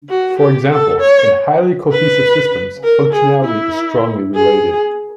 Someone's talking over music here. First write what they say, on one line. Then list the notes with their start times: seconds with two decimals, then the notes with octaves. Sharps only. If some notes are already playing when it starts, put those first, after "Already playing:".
For example, in highly cohesive systems functionality is strongly related.
0.10 F#4
0.40 G4
0.70 A4
1.01 C#5
1.92 B4
2.84 A#4
3.13 G#4
3.45 E4
4.35 G#4